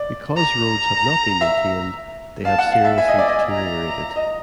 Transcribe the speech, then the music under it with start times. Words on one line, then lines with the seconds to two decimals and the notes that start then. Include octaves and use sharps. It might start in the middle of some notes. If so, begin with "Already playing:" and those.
Because roads have not been maintained, they have seriously deteriorated.
Already playing: D5
0.36 A#5
1.41 E5
2.45 F5 A5
2.59 F#5
2.72 F5
2.85 E5
2.98 E5 G#5
3.08 D#5
3.18 D5
3.29 D#5
3.50 A#5
4.16 D#5